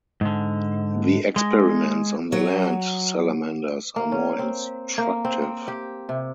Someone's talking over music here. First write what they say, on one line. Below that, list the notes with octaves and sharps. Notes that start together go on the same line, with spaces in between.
The experiments on the land salamanders are more instructive.
G#2 D3
G#3
F#3
A#3
C#4
C4
A#3
C4
C4
G4
C3